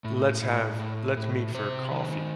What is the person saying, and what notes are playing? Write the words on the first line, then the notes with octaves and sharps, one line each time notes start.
"Let's have let's meet for a coffee."
A2
A2
A2
A2
C3 C5
D#3